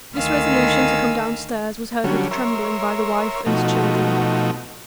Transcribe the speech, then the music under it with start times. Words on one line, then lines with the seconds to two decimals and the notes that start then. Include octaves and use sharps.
This resolution to come downstairs was heard with trembling by the wife and children.
0.14 D2 D#3 F5 G#5 E6
2.04 D3 F#3 G3 C#4
2.31 A#4 C#5 E5 C6
3.46 B2 F3 A3 D#4 F#4